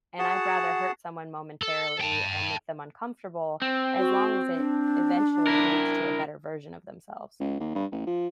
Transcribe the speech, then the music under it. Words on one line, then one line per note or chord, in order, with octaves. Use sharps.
and I'd rather hurt someone momentarily and make them uncomfortable as long as it eventually leads to a better version of themselves.
F#4 G#4 F#5 A5
A4
G5 A5
C4
F#4
D4
E4 A#4
C#2
D#2
G2
A1
F3